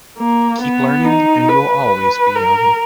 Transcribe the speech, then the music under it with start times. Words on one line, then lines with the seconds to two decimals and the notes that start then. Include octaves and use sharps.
Keep learning and you'll always be young.
0.19 A#3
0.62 B3
1.05 D#4
1.49 B4
2.35 A#4